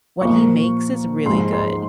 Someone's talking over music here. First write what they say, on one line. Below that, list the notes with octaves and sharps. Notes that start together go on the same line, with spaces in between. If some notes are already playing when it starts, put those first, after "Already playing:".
what he makes is really good.
A#2 F3 A#3 F4 C#6
G#2 F3 G#3 C6
C6